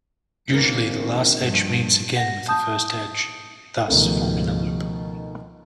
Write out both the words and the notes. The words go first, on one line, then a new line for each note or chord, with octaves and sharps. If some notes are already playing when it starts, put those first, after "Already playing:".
Usually the last edge meets again with the first edge, thus forming a loop.
G#1 A#3 B3 D4
G2 F3
F#5 A#6
A5 D#6 G6
C#2 B2 D#3 F3 A3